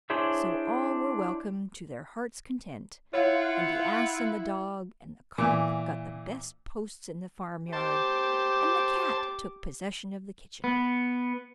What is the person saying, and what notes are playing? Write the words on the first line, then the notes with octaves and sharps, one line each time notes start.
So all were welcomed to their hearts' content, and the ass and the dog and the cock got the best posts in the farmyard, and the cat took possession of the kitchen.
D4 E4 G#4 C5 C#5 E5
E4 F4 C#5 F5 F#5
A#2 E3
G4 C5 A5 D6
B3